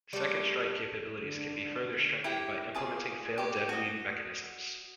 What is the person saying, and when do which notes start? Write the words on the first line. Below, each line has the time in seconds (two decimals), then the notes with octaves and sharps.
Second-strike capabilities can be further strengthened by implementing fail-deadly mechanisms.
0.13 G3 A3
1.21 D3
2.24 E4 G4 G5
2.75 F4 G#4 D5
3.38 G4 D6
3.69 F#4 D#5